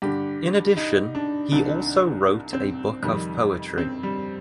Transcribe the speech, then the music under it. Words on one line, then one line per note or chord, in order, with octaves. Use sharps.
In addition, he also wrote a book of poetry.
G2 D3 G4
D#4
D4
C2 C3 D#3 D4
C4
F2 C3 D#3 G3
C4
G3